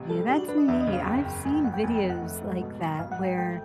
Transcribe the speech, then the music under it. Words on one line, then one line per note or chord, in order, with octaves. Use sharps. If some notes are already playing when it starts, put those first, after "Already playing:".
Yeah, that's neat. I've seen videos like that where
Already playing: A1 C3
G3 A4
D4 G4
F#4
D4 B4
D#5
E2 E5
D#5
C#3
F5
F#1 G5
F#1 G5
A1 G#5
G5
A1 F#5
G5
F1 G#5
G5
F1
F#5
A3
G#2
B2
F#3
G#1 F5
F#5
G#1
G5
A3 G5